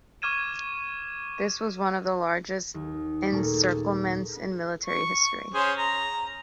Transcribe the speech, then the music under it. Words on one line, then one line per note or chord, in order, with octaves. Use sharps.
This was one of the largest encirclements in military history.
C#6 D6 F6 G#6 D#7 E7
D#2
A#2 A3 A#3 C#4 G#4 A4
C#6
C#4 G#4 C5
A#5